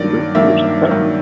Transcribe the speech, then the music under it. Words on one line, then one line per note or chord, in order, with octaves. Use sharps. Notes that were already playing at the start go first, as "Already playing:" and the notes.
The Great Believers, okay.
Already playing: G2 D#3 F#3 A#3 D5
G2 D#3 F#3 A#3 E5
G2 D#3 F#3 A#3